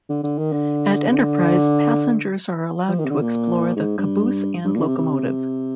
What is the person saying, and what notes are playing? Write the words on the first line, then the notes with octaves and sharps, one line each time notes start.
At Enterprise passengers are allowed to explore the caboose and locomotive.
D3
D3
D#3
D3
C3
D3
F3
D#3
C3
D3
A#2
G#2
G2
G2
A#2
D3
C3
C3